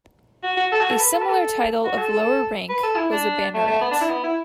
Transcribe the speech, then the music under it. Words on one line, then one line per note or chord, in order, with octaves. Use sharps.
A similar title of lower rank was banneret.
F#4
F#4
A4
F#4
A4
B4
A4
B4
A4
F#4
A4
B4
A4
E4
D4
A3
A3
B3
D4
E4
B3
E4